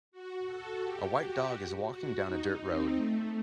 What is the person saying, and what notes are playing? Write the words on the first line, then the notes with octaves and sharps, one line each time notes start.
A white dog is walking down a dirt road.
F#4
A4
G4
F#4
F#4
D#4
C4
A3